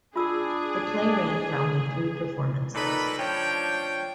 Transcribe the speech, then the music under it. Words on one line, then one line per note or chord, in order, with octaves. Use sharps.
The play ran for only three performances.
D4 F4 G#4 E6
A#2 D#4 A4 B4 B5
F3 D4 C#5 G5